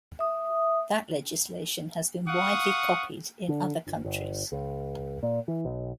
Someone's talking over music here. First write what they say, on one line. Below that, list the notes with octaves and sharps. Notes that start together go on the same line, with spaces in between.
That legislation has been widely copied in other countries.
E5 D#6
F5 F#5 C#6 D#6
D3
G1
G1
C#2
A#2
E3
B1